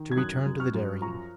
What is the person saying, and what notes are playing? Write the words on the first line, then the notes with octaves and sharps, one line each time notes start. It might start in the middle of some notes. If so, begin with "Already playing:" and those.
To return to the dairying.
Already playing: D#3
G#6
F#2 D#6 F#6
F#2
C#6 F6
F#2
F3 A#5 C#6